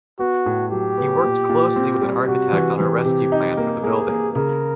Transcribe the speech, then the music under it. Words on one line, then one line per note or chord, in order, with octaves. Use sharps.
He worked closely with an architect on a rescue plan for the building.
B3 F#4
A2
F#3 G4
B3
A#2
A#2
C4
G3
C3 F#4
E3
E3 G4
C3
D#4
A#3
A#3 G#4
A#3
C#3 A#4